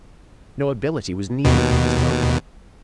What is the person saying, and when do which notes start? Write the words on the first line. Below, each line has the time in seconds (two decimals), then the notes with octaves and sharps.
No ability was needed for his vote.
1.45 D#2 B2